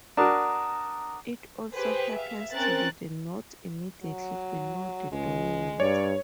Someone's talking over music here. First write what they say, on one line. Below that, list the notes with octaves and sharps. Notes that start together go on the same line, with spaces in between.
It also happens to be the note immediately "below" the dominant.
D4 F#4 A#4 A#5 D#6
G4 G#4 B4 C5
E5 F5
C4 C#4 A#4 C5 F#6 A6
F#3
C#2 G#3
G2 C#5 D5